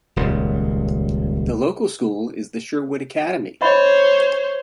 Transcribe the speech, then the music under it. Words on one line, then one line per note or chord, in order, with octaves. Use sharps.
The local school is the Sherwood Academy.
D#1 C#2
C5 C#5 D#5 B5